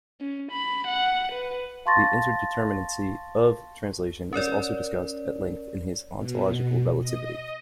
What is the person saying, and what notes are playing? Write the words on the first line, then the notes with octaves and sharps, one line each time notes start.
The indeterminacy of translation is also discussed at length in his "Ontological Relativity".
C#4
B5
F#5
B4
F5 A5 C6 C#6 A6 A#6
C#4 A#4 C#5 D5
B2
D#5